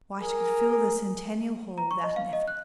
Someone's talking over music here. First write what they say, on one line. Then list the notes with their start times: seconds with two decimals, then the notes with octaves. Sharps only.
Why, she could fill the Centennial Hall without an effort.
0.21 G#4 A#4
1.78 A#5
1.91 C#6
2.04 D#5
2.16 F5
2.33 D#5
2.48 F#6